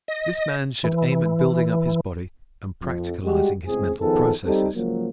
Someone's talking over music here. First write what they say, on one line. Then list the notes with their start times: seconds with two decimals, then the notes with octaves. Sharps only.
This man should aim at building up his body and practicalizing his mental processes.
0.08 D#5
0.84 E3
2.83 F2
3.24 G3 G#3 F#4 G4
3.66 C#2 A2 G#3 C4 G#4
4.01 D#3 F3 B3 D#4 G#4 A4
4.45 G3 C4 D#4 G4 A4
4.75 C#2 F3 F#3 A#3